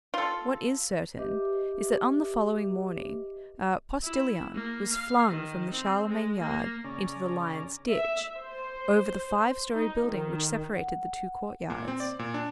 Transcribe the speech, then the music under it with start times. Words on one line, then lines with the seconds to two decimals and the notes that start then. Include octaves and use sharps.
What is certain is, that on the following morning, a "postilion" was flung from the Charlemagne yard into the Lions' Ditch, over the five-story building which separated the two court-yards.
0.14 F4 A4
1.18 G4 B4 D#5 E5 D6
4.03 E4
4.55 A#3
4.93 F5
5.29 D#3
5.70 C4
6.08 G#3
6.40 A#3
6.84 C#3 C#4 D5 A#5
7.92 E5
8.37 C5
9.73 D#4
10.08 D#3
10.76 F#5
11.70 A#2
11.88 C4
12.00 D5
12.19 A#2
12.34 D4